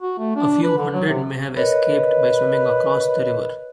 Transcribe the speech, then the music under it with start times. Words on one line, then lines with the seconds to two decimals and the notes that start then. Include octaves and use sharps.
A few hundred may have escaped by swimming across the river.
0.01 F#4
0.18 A3
0.36 D4
0.63 B4
0.77 D3
0.94 F#3
1.08 C3
1.56 A#4 B4 C#5 D#5